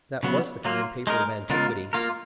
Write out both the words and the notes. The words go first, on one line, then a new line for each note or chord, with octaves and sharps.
"That was the common paper of antiquity."
C#3 F#3 B3
F#3 A#3 F4
G#3 D#4 A#4
C#3 G#3 B3 F4 A#4
A#3 F4 A#4